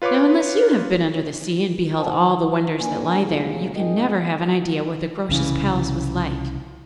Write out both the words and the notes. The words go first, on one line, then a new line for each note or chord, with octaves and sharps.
Now, unless you have been under the sea and beheld all the wonders that lie there, you can never have an idea what the Groac'h's palace was like.
F4 B4 C#5 F5 D6
C5 F#5 G#5 A5
E4
A#3 D4 B4 G#5
D#2 C3 F#3 A3 F4 G#4
G#1 D#3 G#4 A#4 D#5 G5
C2 C#3 E3